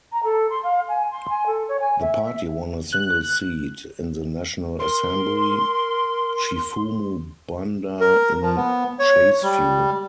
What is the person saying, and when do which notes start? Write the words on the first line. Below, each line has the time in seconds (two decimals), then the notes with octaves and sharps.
The party won a single seat in the National Assembly, Chifumu Banda in Chasefu.
0.12 A#5
0.23 A4
0.50 C6
0.63 F5
0.89 G#5
1.11 C6
1.29 G#5
1.46 A4
1.68 C#5
1.80 G#5
2.01 E5
2.23 E5
2.92 F#6
4.80 A#4 C6
8.01 A#4
8.42 F3
8.56 B3
8.99 C#5
9.42 G3